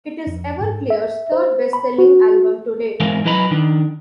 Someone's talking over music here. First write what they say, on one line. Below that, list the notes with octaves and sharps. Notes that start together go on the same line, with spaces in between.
It is Everclear's third-best-selling album to date.
F2
G#2
E5
C5
B5
F#4
G#2 E3 G#3 C4 A#4 F5
F#3 E4 B4 D#5 A#5 B5
D#3 D4